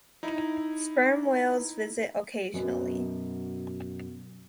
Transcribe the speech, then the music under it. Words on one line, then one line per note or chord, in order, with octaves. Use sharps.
Sperm whales visit occasionally.
D#4 E4
F#2 B2